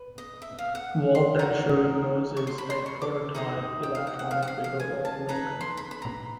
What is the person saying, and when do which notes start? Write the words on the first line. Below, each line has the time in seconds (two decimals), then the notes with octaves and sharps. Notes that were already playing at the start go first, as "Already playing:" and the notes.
Walt then showed Moses a prototype electronic figure of Lincoln.
Already playing: B4
0.18 D#5
0.42 E5
0.59 F5
0.75 F#5
1.15 C6
1.39 D#4 F#4 A#4 A#5
2.37 C#6
2.47 C6
2.58 B5
2.70 C6
2.86 C#6
3.02 D6
3.35 D#4 G#4 C5 D#5
3.83 G5
3.95 F5
4.07 F#5
4.19 F#5
4.31 F5
4.43 F#5
4.48 F5
4.64 F5
4.80 G#5
5.05 A5
5.28 D#4 G#4 B4 A#5
5.61 C6
5.77 B5
5.91 B5
6.02 A#5